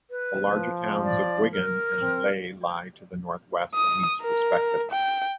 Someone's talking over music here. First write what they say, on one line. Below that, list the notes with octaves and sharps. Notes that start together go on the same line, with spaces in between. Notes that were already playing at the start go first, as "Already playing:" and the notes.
The larger towns of Wigan and Leigh lie to the northwest and east respectively.
B4
F3
D5
A#4
C4
D#6
A#4
G5